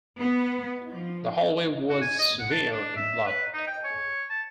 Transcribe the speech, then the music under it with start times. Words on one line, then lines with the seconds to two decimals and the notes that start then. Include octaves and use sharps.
The hallway was smeared in blood.
0.20 B3
0.94 F3
1.89 F#4
2.01 G#5
2.19 D#5
2.40 F#5
2.51 A5
2.72 D4
2.96 E5
3.27 B4
3.54 D#4
3.67 G5
3.84 C#5
4.30 A5